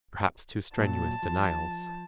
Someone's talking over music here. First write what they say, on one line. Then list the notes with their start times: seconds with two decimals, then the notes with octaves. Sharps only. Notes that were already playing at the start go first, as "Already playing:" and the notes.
Perhaps too strenuous denials.
0.77 A#2 F#3 A5
1.23 F3